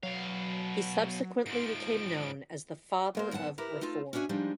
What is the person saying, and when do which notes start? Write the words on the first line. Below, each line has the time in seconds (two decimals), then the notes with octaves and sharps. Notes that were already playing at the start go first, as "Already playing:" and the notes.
He subsequently became known as the Father of Reform.
0.03 B2 F#3 F5
1.46 G#2 F3 D7
3.15 G#3 A#3 C5
3.31 F#2 D#3 B3 F#5 A5
3.58 E4 G4 A#4 B4
3.81 A3 D#4 F4 A4
4.13 C#4 D4 E4 F#4 E5 G#5
4.29 F3 G3 G#3 D4 D#4